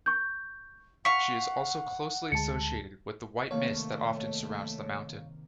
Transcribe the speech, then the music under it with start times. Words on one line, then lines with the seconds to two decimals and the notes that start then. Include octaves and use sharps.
She is also closely associated with the white mist that often surrounds the mountain.
0.06 C#6 G6
1.05 F5 F#5 C#6 B6 C#7
2.32 D2 G#3 A5 C#7
3.51 C3 D#3 A3 A#3 C#5 F5